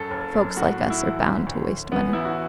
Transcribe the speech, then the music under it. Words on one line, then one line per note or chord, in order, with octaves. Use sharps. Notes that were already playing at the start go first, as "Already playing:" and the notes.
Folks like us are bound to waste money.
Already playing: F#2 A4
F#1
F#2
A2 F#4
A2
E4
E3
D2
D2
D2
E3 B3
A1 E4
F#4